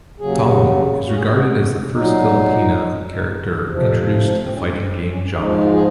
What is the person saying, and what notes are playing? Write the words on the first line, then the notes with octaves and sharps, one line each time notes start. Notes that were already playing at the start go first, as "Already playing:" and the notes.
Talim is regarded as the first Filipina character introduced to the fighting game genre.
D#2 C#3 F#3 G#4
F#4
G#4
F#4
A#2 F#3 D#4
F2 C3 F3
C4
C#4
C#4
G#2 F3 G#3 D#4
F4
G#4